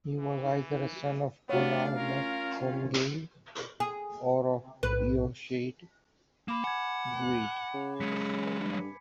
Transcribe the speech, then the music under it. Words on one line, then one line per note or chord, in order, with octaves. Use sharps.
He was either a son of Conall mac Comgaill or of Eochaid Buide.
E3
A3 B3 D4 F#4 C#5 F5
C#4 F4 A#4
G#4
B1 A2 B4
A#3 B5 D6 E7
F#5 G#5 G#6
C#3
F#3 G#3 B6 C#7
G2